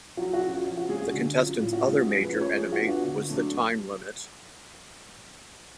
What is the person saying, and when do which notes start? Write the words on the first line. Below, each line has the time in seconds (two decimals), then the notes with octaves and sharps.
The contestants' other major enemy was the time limit.
0.17 F#3 F#4
0.33 F#4
0.42 C#4 F4
0.50 F#4
0.65 F3 F4
0.77 F#4
0.89 G#3 C#4 G#4
1.01 F#4
1.13 D3
1.37 F#3 C#4 F4
1.61 A2 F4
1.73 F#4
1.85 G#3 C#4 F4
1.96 F#4
2.09 F3 G#4
2.24 B4
2.32 A3 C#4 F4
2.41 C#5
2.56 F3 G#4
2.72 F#4
2.80 B3 D4 F4
2.88 F#4
3.04 D3
3.29 F#3 A3 D4